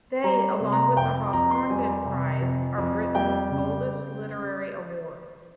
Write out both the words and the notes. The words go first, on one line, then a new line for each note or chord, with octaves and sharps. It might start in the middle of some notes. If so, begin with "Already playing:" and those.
They, along with the Hawthornden Prize, are Britain's oldest literary awards.
G3 A#5
C3
A#5
F2 G5
F2 A#5
C6
G3 G#5
C3
F2
F2
G3 G5
C#3